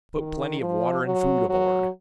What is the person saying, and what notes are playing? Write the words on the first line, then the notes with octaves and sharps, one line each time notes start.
"Put plenty of water and food aboard."
D#3
F3
F#3
F#3